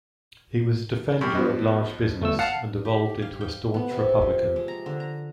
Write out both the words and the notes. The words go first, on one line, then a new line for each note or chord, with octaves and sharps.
He was a defender of large business and evolved into a staunch Republican.
F#2 G4
B2 F3
G1 A3 E6
F5 F#5 A5
G4
F5
G5
B3
C3
F3
G#3
A#5
D3
A#5